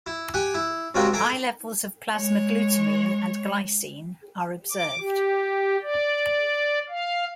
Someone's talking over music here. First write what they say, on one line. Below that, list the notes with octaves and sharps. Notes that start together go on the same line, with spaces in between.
High levels of plasma glutamine and glycine are observed.
E4
G4 F#5 G#5
E4
C#2 C3 C4 F4 F#4 A#4
A3 G#4 A#5 D6
G#3 C#5
D6
G4
D5
F5